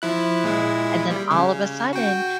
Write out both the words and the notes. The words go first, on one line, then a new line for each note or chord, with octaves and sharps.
And then all of a sudden,
F3 E4 F#6
A#2 G#3 E4
G3
C#3
F#4 G5